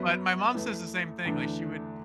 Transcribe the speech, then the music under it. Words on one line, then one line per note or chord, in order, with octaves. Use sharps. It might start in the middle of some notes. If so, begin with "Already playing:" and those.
But my mom says the same thing, like, she would
Already playing: F#2 F#3 B3
E2 E3 A3
E2 D3 A3 D4